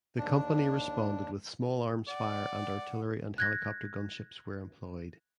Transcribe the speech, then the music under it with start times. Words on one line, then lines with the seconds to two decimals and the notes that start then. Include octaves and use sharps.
The company responded with small arms fire and artillery and helicopter gunships were employed.
0.18 D#2 D4
2.08 D5 F#5
3.38 F#6 G#6 A#6